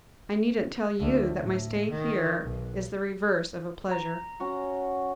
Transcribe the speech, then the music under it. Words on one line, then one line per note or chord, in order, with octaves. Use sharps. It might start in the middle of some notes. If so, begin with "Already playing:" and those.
I need n't tell you that my stay here is the reverse of a pleasure.
D2
A2
D#3
B1
A#5
C#4 F#4 F#5